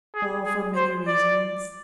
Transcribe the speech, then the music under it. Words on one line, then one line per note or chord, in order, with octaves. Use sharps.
"For many reasons."
G#4
G#4
C5
D5